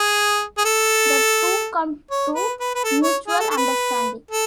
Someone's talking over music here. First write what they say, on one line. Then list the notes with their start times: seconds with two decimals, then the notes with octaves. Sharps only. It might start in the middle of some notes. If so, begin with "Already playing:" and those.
The two come to mutual understanding.
Already playing: G#4
0.57 G#4
0.65 A4
2.11 C#5
2.35 B4
2.60 B4
2.75 B4
2.84 A4
3.03 C#5
3.28 G#4
3.39 A4
3.50 A4
3.57 B4
4.31 A4